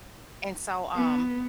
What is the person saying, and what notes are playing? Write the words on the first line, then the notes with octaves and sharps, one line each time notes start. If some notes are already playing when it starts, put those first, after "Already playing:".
and so, um
B3